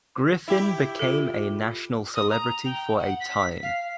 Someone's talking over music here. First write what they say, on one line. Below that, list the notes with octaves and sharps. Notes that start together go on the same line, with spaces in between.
Griffin became a national celebrity for a time.
E4 G4
F4 A4
D#6
A#5
G5
F#5
B6
F5